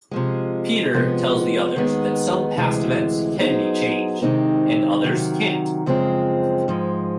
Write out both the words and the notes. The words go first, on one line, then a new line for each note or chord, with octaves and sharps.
Peter tells the others that some past events can be changed, and others can't.
C3 F3 G#3
C3 F3 G#3 B3
D#2 D#3 G#3 B3
D2 C3 E3 G#3
F#3 B3 D#4 G#4 C5
C3 D#3 G#3 C4 D#4
C3 D#3 F#3
F#2 C#3 F3 G#3 C4
G#2 F3 G#3